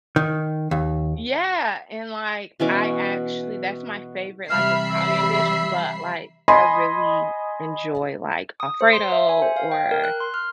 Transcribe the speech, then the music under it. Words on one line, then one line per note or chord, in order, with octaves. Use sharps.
Yeah, and, like, I actually that's my favorite, like, Italian dish, but, like, I really enjoy, like, Alfredo or,
D#3
D#2
B2 E3 C#4 D6
C3 E3 G3 E5 B5 F6 C7
E6
D#5 G#5 B5 C6
D#6
C5
C6
E5
G#5
C5
F5
G5
A#4
F#6
C6
F6